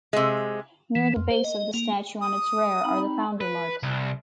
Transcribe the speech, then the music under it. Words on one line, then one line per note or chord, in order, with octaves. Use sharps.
Near the base of the statue on its rear are the foundry marks.
C3 G#3
E3
F2
C5
D#5
A#3
D#6
C4 D#4 B5
B4
C2